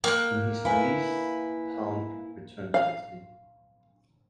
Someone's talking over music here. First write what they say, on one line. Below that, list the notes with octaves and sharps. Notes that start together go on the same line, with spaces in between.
On his release, Pound returned to Italy.
A#3 G5 F#6
E4 B4 F5 G#5
F5